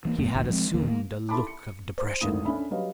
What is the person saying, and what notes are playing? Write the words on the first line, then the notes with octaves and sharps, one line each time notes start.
He had assumed a look of depression.
E3 A3 A#3
D#1 F#2 A3 B3
F1 C2 A2 D#3
F3 G#3 B3 C4
E2 D#3 A#3
A#3
E4 A4 A5 B5 C6 D6
C#7
C5
G#1 D2 D#3 D4 E4 D#6
C#4 D4 A4 E5 B5
F#3 G3 B4 C#5 D#5 F5